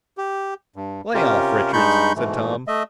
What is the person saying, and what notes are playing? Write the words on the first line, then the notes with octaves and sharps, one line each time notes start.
"Lay off, Richards," said Tom.
G4
G2
C3 C#4 F4 G4 A#4
G2 G#3 D#4 B5 C#6 G6
G#2 B2 E3 A3
A3 D#5 E5